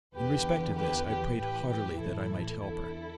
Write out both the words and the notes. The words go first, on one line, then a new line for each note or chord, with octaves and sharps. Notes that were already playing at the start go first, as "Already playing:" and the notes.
In respect of this, I prayed heartily that I might help her.
E2 D3 G4 B4
G4 B4
G4 B4
A2 E3 G4 B4
G4 B4
E4 A4
E2 D3 E4 A4